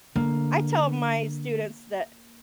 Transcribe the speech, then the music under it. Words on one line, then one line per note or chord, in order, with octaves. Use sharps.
I tell my students that
D3 A#3